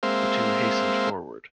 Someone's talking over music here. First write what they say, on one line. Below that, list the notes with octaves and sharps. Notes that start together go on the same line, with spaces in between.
The two hastened forward.
G#3 A#3 C4 C5 E5 F5